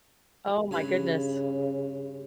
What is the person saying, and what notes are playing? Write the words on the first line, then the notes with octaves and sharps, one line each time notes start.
Oh my goodness.
G2 C#3 G#5 B5